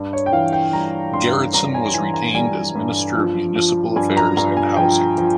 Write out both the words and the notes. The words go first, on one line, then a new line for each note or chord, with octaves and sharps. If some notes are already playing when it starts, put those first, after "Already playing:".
Gerretsen was retained as Minister of Municipal Affairs and Housing.
Already playing: G2
C#5
G5
E3 F5
G5
G3 A#5
G2 C6
G2 A#5
G#5
E3 G#5
A#5
G3 G#5
G2
F3
F3
G2 G#5
A#5
G2 A#5
G#5
F3 G5
F3